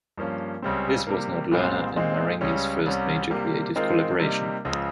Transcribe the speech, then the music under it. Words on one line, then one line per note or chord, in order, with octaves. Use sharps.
This was not Learner and Marenghi's first major creative collaboration.
G2 F3 A#3 C#4
C#2 C#3 G3 C4
C3 G3 A#3
C2 A#2 G#3 C4
A#2 G#3 C4 D#4
C#2 C#3 G3 C#4
C2 C3 G3 C#4
C3 G3 A#3
D#3 G#3 C4 F4 A#4
C3 G3 A#3 D#4
C#2 C#3 F3